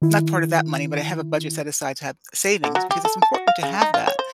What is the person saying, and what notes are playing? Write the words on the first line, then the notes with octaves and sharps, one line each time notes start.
not part of that money, but I have a budget set aside to have savings because it's important to have that,
D#3 E4
D3
F#3
G4
A4
A5
F#4
F5
C#3
D#4
F4
C#5
C5